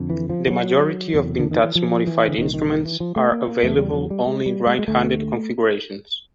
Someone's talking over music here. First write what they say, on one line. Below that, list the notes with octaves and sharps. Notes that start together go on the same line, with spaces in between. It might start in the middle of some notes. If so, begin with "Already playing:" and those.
The majority of Vintage Modified instruments are available only in right-handed configurations.
Already playing: F2 D3
E3
F3
F3
F#3
E2 C3
D3
D#3
E3
F3
E3
D3
C2 A#2 D#3
D#3
D#3
E3
F3
A3
A#3
A#3
E2 C#3 A3
G3
F#3
G3
G#3
G3
G#3
G#3
D2 D3 A3